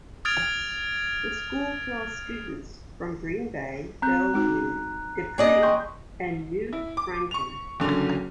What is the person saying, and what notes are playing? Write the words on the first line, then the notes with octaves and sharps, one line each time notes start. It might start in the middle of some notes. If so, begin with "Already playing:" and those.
The school draws students from Green Bay, Bellevue, De Pere, and New Franken.
D#6 F6 G#6 A6 D7 F7
C4 A#5 F#6 G6
G#3 D#4 F#4
A#3 G#4 D5 D#5
G5 C6 C#6 G6
E4
D6
C#6 F7
F#1 D3 F#3 C#4